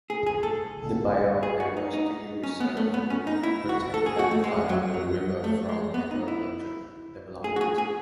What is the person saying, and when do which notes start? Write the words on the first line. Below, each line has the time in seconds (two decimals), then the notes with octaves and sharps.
The biodiversity reserve would protect that part of the river from hydroelectric development.
0.10 G#4
0.26 G#4
0.43 A4
1.43 G#4
1.60 F#4
1.77 D#4
1.93 D#4
2.43 C#4
2.60 B3
2.77 A3
2.94 B3
3.10 C#4
3.27 D#4
3.43 E4
3.69 F#4
3.94 A4
4.06 G#4
4.19 F#4
4.31 A3
4.44 G#3
4.69 F#3
4.94 F#3
5.44 A3
5.69 G#3
5.94 B3
6.11 D#4
6.28 E4
7.44 G#4
7.56 F#4
7.61 G#4
7.78 G#4